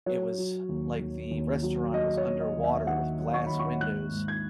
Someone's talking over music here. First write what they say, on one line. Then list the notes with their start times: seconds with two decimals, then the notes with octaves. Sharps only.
it was like the restaurant was underwater with glass windows.
0.06 F#3 C#5
0.38 F#3
0.69 D#2
1.00 D#2
1.31 D#2
1.63 F#3
1.93 F#3 D#5
2.17 C#5
2.25 D#2
2.40 D#5
2.56 D#2
2.64 E5
2.87 D#3 F#5
3.19 F#3
3.34 C#6
3.46 D#2 B5
3.59 C#6
3.81 G#2 F#6
4.12 G#2
4.28 G#6